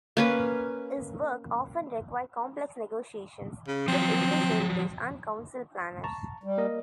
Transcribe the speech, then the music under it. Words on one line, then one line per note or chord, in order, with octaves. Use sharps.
His work often required complex negotiations with English Heritage and council planners.
A#3 C#4 B4
C#3
F3 F#3 C4
A5 A#5 C#6
G3
A#3 A#4 D#5